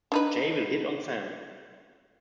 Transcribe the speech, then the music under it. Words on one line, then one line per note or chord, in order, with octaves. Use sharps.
Jay will hit on Sam.
D4 D#4 B4